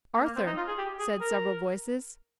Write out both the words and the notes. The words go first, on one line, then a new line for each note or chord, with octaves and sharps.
"Arthur," said several voices.
A#3
A#3
C4
D#4
F4
G#4
G4
G#4
A#4